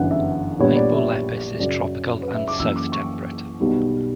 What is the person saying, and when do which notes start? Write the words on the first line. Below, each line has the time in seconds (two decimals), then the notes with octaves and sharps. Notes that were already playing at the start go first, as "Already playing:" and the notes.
"Hypolepis" is tropical and south-temperate.
Already playing: G1 F#2 E3 F#5
0.11 E5
0.60 A#1 A#2 G3 B3 C#5
0.76 D5
0.93 E5
1.60 F#2 C#3 F#3 D5
2.22 B4
2.34 E5
2.48 D6
2.60 F#2 E3 A#3 E6
2.76 D6
2.92 C#6
3.60 B1 B2 G3 B3